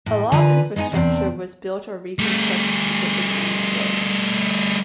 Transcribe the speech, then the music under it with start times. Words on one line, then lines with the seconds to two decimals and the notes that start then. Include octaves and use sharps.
A lot of infrastructure was built or reconstructed to get the trains rolling.
0.06 A2
0.32 D3 F4 A#4 B4 G#5
0.76 G#3 B3 D#4 F#5 G#5
0.92 E2 C3 A#3 C4 D4
2.19 G3 A3